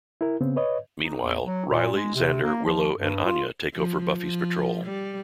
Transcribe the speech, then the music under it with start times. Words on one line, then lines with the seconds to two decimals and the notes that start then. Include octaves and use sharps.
Meanwhile, Riley, Xander, Willow and Anya take over Buffy's patrol.
0.21 E4 A#4
0.41 C#3 B3 C4
0.56 B4 C#5 D#5
1.03 D#4
1.21 E2
1.46 F#3
1.70 A#2
1.95 G#3
2.15 C3
2.44 A#3
2.65 F3
2.95 G2
3.25 F4
3.74 F3
4.17 F3
4.84 G3